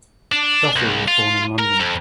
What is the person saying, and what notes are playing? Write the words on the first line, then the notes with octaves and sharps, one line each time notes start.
Duffy was born in London.
D4
C2
F4
A#4
F2